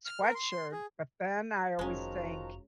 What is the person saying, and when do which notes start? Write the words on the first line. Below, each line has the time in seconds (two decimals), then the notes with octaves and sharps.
sweatshirt. But then I always think
0.06 F6
0.22 A#4
0.35 C6
0.51 C6
0.72 G#4
1.79 F1 D#3 F3 G#3 C#4 F4 F#4 A#5